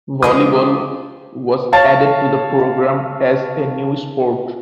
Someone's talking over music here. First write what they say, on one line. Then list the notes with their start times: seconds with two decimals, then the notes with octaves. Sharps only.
Volleyball was added to the program as a new sport.
0.23 F3 G#3 G4 D#6
1.72 C#5 F5 A5 A6